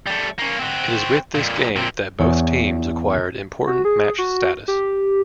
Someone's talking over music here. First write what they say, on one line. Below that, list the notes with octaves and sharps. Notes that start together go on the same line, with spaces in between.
It is with this game that both teams acquired important match status.
G3 A3
A#3 C#4
C4 F#4
F2 A#2
A#2 C4
E2 C#5
F#4
G#4
F#4
G4